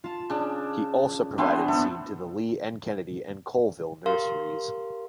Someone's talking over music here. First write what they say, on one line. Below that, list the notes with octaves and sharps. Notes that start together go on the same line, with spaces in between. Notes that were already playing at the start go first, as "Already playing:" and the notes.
He also provided seed to the Lee and Kennedy and Colvill nurseries.
F4 A5
C#3 D4
A3 B3 C4 D4 G#5 C6
A3 B3 A4
G4 A#4 F5 C6